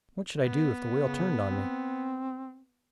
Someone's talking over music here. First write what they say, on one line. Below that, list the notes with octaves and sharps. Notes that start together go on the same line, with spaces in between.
What should I do if the whale turned on me?
B3
C#3
C4